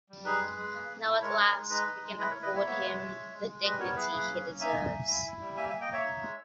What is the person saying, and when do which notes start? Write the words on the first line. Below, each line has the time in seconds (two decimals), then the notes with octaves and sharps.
Now at last we can accord him the dignity he deserves.
0.09 G3
0.25 D#4 G#4 B4
0.42 G#3
0.57 G#3
0.74 A#3
0.90 A#3
1.05 E4
1.21 G#3 A#4 C#5
1.38 D#4
1.55 G#3
1.70 D#4 B4 D#5
1.87 D#4
2.02 G#3
2.18 E4 B4 D#5
2.30 A#4 C#5
2.35 E4
2.42 B4 D#5
2.51 A#3 C#5 E5
2.66 B3 C#5 E5
2.84 G#3
2.99 G#3
3.16 G#3
3.32 G#3
3.48 G#3
3.64 G3 B4 D#5
3.80 B3 A#4 C#5
3.96 E4 G#4 B4
4.11 A#3 G#4 B4
4.28 C#4
4.45 A#3
4.60 D#4 E5 G#5
4.77 D#4
4.92 A#3
5.09 E4
5.25 E4
5.40 G3
5.57 A#3 E5 G#5
5.69 E5 G#5
5.74 A#3
5.81 D#5 G5
5.89 A#3 C#5 E5
6.05 D#4
6.21 G#3